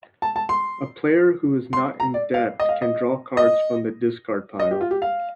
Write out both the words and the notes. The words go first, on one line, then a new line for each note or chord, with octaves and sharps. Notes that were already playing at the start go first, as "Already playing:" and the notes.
A player who is not In Debt can draw cards from the discard pile.
A5
A5
C6
C6
A#5
D5
F5
D#5
F5
D#5
D#5
D#5
G4
F4
G4
F5